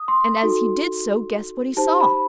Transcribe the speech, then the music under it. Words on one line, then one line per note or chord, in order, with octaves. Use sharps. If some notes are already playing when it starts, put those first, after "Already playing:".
And as he did so guess what he saw?
Already playing: D#6
C6
D#4 F#4 A4
D#4 G4 C5 A5
B5